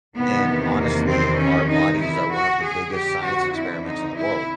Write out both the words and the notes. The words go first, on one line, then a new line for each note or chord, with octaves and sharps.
and, honestly, our bodies are one of the biggest science experiments in the world.
E2 C3 D#3 B3
A#3
C4
C#4
D#4
E4
F#4
F2 D3 G#4
G4
F#4
E4
D#4
E4